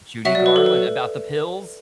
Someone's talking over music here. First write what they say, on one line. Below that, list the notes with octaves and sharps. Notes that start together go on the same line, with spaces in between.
Judy Garland, about the pills?
F#3 F#4 E5
D5
B4
A4
B4